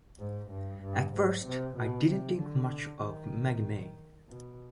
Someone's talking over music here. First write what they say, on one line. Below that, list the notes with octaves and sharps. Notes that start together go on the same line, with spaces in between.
"At first, I didn't think much of "Maggie May.
G#2
G2
G2
G#2
C3
B2
C3
D3
D#3
B2